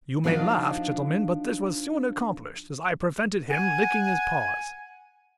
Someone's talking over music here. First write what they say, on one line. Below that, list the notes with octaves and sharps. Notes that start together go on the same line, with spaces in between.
You may laugh, gentlemen, but this was soon accomplished, as I prevented him licking his paws.
F3 B3 D4 D#4 F4 F#4
F#5 G#5